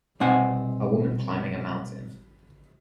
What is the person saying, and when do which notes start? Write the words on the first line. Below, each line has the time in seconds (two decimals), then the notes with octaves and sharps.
A woman climbing a mountain.
0.20 C2 B2 C4 F#5 G#5